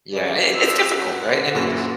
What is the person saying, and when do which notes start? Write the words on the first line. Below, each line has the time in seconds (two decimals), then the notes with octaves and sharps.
Yeah, and it it's difficult, right? And it
0.12 C#3 D5
0.53 F2 E6
0.94 F#2 F#5
1.25 D3
1.54 F#2 A#2 E3 F#4